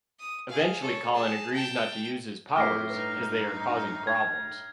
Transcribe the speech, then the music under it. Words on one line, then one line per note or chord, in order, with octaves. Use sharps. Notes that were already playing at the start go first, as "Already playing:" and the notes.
Eventually Colin agrees not to use his powers, as they are causing problems.
D#6
G#4 F5
A4 C#5
G#4 A5
G5 A5
A2 E4 E5 D6 F6 A#6 C7
G2 D#4 B4
G#6